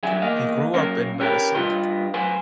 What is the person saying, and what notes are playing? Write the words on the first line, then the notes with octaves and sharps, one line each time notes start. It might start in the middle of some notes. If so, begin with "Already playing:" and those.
He grew up in Madison.
G2 D3 F#3 G3 E5 G#5
E2 A#3 D#5 F5
F#2 A#3 C#4 F#4 A#4
C#4 G4 A#4 B4
G2 D#4 F4 B4 C6
F#3 B4 C5 G#5 C6